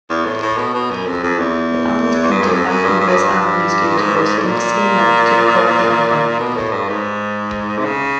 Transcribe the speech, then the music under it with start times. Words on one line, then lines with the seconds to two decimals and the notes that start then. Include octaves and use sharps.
The band entered Vancouver's Armoury Studios in the same month to record the album.
0.10 E2
0.25 A2
0.43 A2
0.58 B2
0.74 B2
0.91 F#2
1.07 F2
1.23 F2
1.39 E2
2.31 G2
2.42 F#2
2.52 F2
2.68 F#2
2.84 G2
3.01 G2
3.08 F#2
3.15 G2
3.97 G#2
4.16 G2
4.22 G#2
4.38 A2
4.46 A#2
6.40 B2
6.56 A2
6.72 G2
6.89 G#2
7.78 C3
7.85 C#3